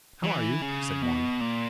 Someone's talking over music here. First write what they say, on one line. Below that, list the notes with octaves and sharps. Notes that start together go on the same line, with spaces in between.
"How are you?" said one.
E3
C#3
B2
A#2